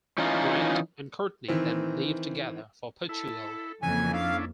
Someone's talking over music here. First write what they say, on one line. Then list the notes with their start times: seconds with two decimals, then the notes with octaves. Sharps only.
Grant and Courtney then leave together for Portugal.
0.18 E3 C#4 D#4 F4
1.48 D#3 E3 C4
3.09 E4 A4
3.83 F2 C#3 E3 A#3 G#5
4.13 C#4 D4 E4 F5